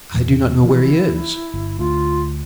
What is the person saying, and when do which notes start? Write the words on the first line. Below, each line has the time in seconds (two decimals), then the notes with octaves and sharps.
"I do not know where he is."
0.14 E2 A#2 E3
0.64 E3 F3 C4 E4
1.54 G1
1.79 D2 A3 F4